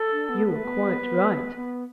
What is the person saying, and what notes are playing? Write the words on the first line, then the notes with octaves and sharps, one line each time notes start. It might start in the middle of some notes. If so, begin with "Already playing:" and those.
'You are quite right.
Already playing: A4
D4
B3
B3 B4
A3
B3
B3
B3